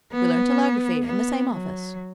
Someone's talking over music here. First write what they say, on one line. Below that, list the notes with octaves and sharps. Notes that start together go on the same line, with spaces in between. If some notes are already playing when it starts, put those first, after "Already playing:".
We learned telegraphy in the same office.
B3
B3
F#3